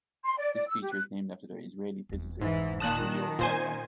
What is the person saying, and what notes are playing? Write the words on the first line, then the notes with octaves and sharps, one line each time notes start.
This feature is named after the Israeli physicist Giulio Racah.
C6
D5
D5
E6
G4
F#6
F1 E2
G#2 E3
A#2 D#3 A5 D#6 F#6 E7
A#2 C4 C#4 C5 G#5